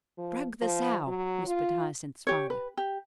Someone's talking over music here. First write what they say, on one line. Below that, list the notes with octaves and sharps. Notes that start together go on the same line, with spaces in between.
"Drug the sow," whispered Hyacinth's father.
F3
F3
F#3
F4
G4 C#5
B4
G4